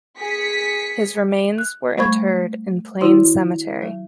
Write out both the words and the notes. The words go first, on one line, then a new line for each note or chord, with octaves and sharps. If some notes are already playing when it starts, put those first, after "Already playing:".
His remains were interred in Plain Cemetery.
G#4 B6 C#7
F#6
G3 A3 C5 B5 C#6 G#6
D#3 E4 F#4 C5 C6
F#3